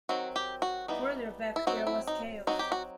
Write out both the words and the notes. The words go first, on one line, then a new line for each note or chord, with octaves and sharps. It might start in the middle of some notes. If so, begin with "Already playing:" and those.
Further back there was chaos.
D#3 F#3 C4 F#4
G4
F#4
E3 G3 B3 D#4
E4
F#3 C4 D#4 F#4
E4
D#4
F#3 A3 C4 D#4 F#4
G4
F#4